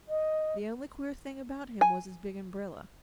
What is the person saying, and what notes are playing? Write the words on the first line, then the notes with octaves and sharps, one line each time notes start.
The only queer thing about him was his big umbrella.
D#5
G#5